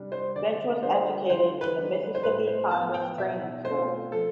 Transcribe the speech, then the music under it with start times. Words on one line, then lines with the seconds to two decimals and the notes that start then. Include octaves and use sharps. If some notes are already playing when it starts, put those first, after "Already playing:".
Finch was educated in the Mississippi Conference Training School.
Already playing: C3 G3 D4
0.12 C5
0.36 D3 D5
0.83 G3 D4 F4 C5
1.29 D3 C5
1.61 B4
1.76 G3 D4
2.15 C5
2.23 A2 B4
2.47 C5
2.71 F3 B3 F4 A5
2.94 G5
3.18 B2 E5
3.65 A3 C4 F4 C5
4.12 F3 A4